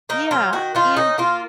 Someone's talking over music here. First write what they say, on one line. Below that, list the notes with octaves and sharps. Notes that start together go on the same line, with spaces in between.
Yeah, and
A#3 D#4
F#3 F4
D#3 F#4
D#3 F4
C#4 D#4
A#3 F4